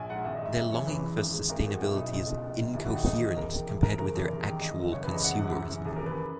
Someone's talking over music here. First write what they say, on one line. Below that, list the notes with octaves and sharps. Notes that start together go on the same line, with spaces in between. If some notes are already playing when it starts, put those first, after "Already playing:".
Their longing for sustainability is incoherent compared with their actual consumerism.
Already playing: A#1 G#5
G#2 F#5
G#1 E5
D#5
G#2 E5
F#2 E5
E3 C#5
E2 B4
C#3
G#1
G#2
G#1 A#4
G#4
F#2 F#4
B1 E4
B2 D#4
C#2 D#4
B2 D#4
A#1
G#2
D#2 E4
F#4
D#3
D#4
E2 D#4
C#3 F#4
E2 A#4
D#3
E2
C#3 A#4
F#1 A#4
E2
D#2
D#3
G#1 D#5
F#2
F#1 C#5
E2 B4
D#5
F#1 F#5
F#2 F#5
F#2
E3
D#2 G#4
A#4
C#3 B4